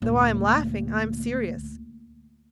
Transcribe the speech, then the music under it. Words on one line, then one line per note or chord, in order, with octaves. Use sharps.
Though I am laughing, I am serious.
D2 A#2